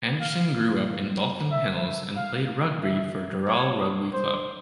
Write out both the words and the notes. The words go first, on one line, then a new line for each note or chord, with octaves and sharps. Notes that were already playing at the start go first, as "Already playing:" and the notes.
Anderson grew up in Baulkham Hills and played rugby for Dural rugby club.
F5
E5
F5
E5
C#5
C5